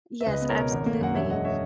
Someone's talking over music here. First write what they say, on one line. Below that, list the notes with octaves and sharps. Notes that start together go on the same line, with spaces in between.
yes, absolutely.
E5
C#2 B4 D#5
B3
A#4 C#5
B2
G#1
A#3
F#2 F#5
E1 C#5 E5
G#3 D#5 F#5
C#5 E5